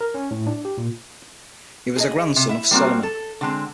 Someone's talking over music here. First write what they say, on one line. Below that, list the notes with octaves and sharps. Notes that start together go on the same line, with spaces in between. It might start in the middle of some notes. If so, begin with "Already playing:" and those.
He was a grandson of Solomon.
A#4
C#4
A2
D4
G4
A#2
G#4 A4 D#5
C3
E4 E5
G3 A#3 C4 F#4
A4
D3 G#3 C4